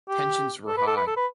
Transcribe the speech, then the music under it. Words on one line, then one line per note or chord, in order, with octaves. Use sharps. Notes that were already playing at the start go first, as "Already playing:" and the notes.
Tensions were high.
G4
A4
B4
A4
B4
A4
B4